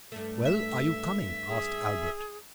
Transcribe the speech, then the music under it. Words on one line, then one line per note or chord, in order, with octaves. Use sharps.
"Well, are you coming?" asked Albert.
G2 A3
E5
G#4